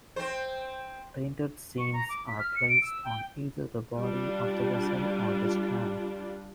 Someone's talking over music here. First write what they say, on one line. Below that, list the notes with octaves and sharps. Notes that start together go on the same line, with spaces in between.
Painted scenes are placed on either the body of the vessel or the stand.
C4 C5
C#6
A#5
D6
B6
F6
C#7
D7
E6
G5
G3 D4 F4